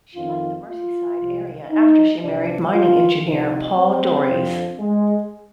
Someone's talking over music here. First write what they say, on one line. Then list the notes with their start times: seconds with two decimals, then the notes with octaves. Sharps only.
She left the Merseyside area after she married mining engineer Paul Dorries.
0.15 F2 D#3 F4
0.67 F4
1.18 C2 C3 F3
1.70 D#4
2.21 C2 C3 F3 D4
2.73 F4
3.25 C2 C3 F3 D#4
3.76 C4
4.28 F2 D3 F3
4.79 G#3